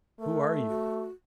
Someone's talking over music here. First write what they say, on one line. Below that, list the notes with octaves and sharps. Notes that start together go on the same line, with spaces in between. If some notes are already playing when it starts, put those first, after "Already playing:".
"Who are you?"
A3 A#4
F#4